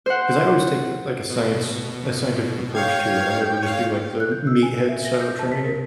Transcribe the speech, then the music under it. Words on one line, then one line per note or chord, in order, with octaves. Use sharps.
'Cause I always take the like a science a scientific approach to it, I never just do, like, the m meathead style training.
C5 F#5
B2
C#5 F5 G5 G#6
C#5 F5
F#6
G6
E6
G#5
E5
A#6
G6
A5
B6
A#4